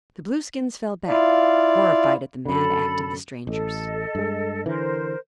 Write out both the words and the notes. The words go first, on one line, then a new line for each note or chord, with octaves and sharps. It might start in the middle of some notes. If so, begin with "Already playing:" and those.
The Blueskins fell back, horrified at the mad act of the strangers.
E4 F4 D5 F5
F#2 D3 A4 B5
A1 A4 D#5
G2 G#3
D3 E3 A#4 C5